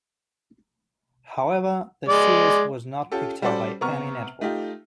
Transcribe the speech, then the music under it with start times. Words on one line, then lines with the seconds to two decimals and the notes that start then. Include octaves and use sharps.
However, the series was not picked up by any network.
2.09 G#3 D5
3.12 C#4 F4 G4 A4
3.42 G3 C#4 F#4 A4 C5 D5
3.81 C3 B3 A#5 C#6 F6
4.41 A3 D#4 F4 G4